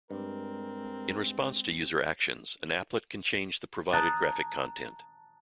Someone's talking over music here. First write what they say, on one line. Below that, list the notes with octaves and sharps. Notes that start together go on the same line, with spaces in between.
In response to user actions, an applet can change the provided graphic content.
G2 G#3 C4 A#4
A5 A#5 D#6 F#6 G#6 A6